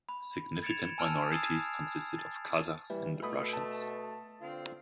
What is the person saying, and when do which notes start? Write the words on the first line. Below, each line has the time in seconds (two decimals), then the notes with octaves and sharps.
Significant minorities consisted of Kazakhs and Russians.
0.09 B5
0.63 G#6 A6 C#7 D7 E7 F7
0.98 G#5 A5 E6 F6 D7 F7
1.31 D#6 E6 G#6 A6 C7 E7
2.18 A6
2.90 E3 G3
3.22 B2 A3 B5 D#6
3.53 A5
4.40 D3 C4 F4